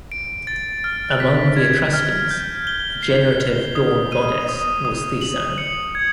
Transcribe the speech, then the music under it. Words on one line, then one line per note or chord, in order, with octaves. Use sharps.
Among the Etruscans, the generative dawn-goddess was Thesan.
D7
A6
F6
B6
G#6
F6
G6
G7
C7
G7
D#6
D#7
D#6
D#6
F#7
C#7
G#6